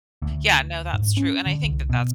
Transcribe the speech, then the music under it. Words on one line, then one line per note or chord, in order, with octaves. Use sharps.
Yeah, no, that's true, and I think that that's p
D2
G#2
C#4
D3
C2
B2